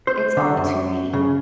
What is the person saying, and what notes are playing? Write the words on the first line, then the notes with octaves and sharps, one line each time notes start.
It's all too neat.
C5
D3
F#2
C#3